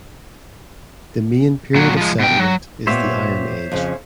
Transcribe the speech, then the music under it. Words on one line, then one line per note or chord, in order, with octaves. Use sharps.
The main period of settlement is the Iron Age.
A#2 F#3
F3 G#3
B2 G5
F#3
A#2 B3 G4 C5 C#5 E5
F2 C#3